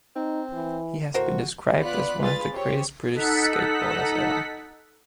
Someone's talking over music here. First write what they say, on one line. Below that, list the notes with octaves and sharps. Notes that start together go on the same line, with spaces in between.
He has been described as one of the greatest British skateboarders ever.
C4 D#4
E3
A2 F#4 A#4 C5
B3 F4 D5 B5 F#6
F4 G#4 B4 A6
C4 G4 C#5
D#4 A4 F#5 B6